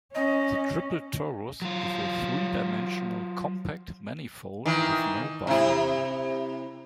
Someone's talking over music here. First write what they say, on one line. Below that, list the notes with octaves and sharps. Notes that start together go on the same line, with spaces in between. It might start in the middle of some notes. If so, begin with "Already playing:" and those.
The triple torus is a three-dimensional compact manifold with no boundary.
C#4 D#5
F#3 F4
D#3 E3
C3 E4